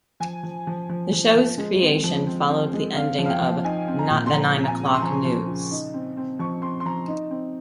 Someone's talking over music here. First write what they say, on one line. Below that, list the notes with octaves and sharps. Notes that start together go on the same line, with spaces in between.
The show's creation followed the ending of "Not the Nine O'Clock News".
F3 G#5
F3
F3
F3
F3
F3
G#3
C4
F3
C4
C4
G#3
C4 F5
F3
F5
G5
F3
D#4 G#5
C4
A#5
A#2
C6
F3 A#5
C4
A#5
G#5
C#3
C#6
C6
F3 A#5
F3
C#3
D#4
C4
C4
F3 C#6
C4 C6
C6
F3 A#5
D#4
C4